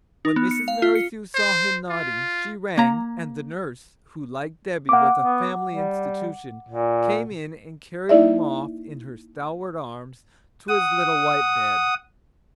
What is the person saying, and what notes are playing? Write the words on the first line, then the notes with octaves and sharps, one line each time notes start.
When Mrs. Merrithew saw him nodding, she rang, and the nurse--who, like Debby, was a family institution--came in and carried him off in her stalwart arms, to his little white bed.
D#4
B3
C#7
F5
F4
C#7
C5
F4
A#3 A#5
A#3 F#5 D6
B3
G3
A#2
A#3 D#4 E4 D5 E5
F#5 D#6